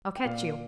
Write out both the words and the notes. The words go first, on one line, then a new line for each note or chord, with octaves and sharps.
I'll catch you.
G5
A#2 F5